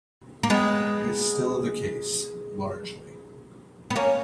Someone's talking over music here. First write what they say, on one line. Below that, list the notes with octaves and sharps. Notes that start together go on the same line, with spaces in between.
It is still the case, largely.
A#3
G#3 B3
B3
A#3 C#4